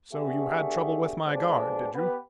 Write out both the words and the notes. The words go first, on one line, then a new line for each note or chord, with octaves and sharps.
"So you had trouble with my guard, did you?"
D3 A3 B3 G4 G#4
F2 B2 G#3 C4 D4
B3 G4 B4